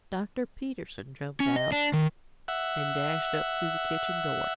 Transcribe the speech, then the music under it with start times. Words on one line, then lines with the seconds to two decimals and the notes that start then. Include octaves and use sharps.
Dr. Peterson jumped out and dashed up to the kitchen door.
1.40 C#4
1.56 D#5
1.72 D4
1.93 D#3
2.48 E5 F#5